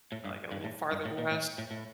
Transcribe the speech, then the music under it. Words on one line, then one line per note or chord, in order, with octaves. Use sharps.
like, a little farther west.
A2
G2
G2
A2
G2
A2
A#2
A2
A2
A2